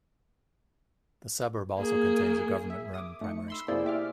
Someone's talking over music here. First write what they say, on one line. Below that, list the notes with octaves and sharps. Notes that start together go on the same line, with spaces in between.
The suburb also contains a government run primary school.
A#3 G#4
E5
D6 D#6
A3 D#4 C#7
B5 C6 E6
C3 A#3 E4 G#4 C5 D5
G4 E5 D6 F6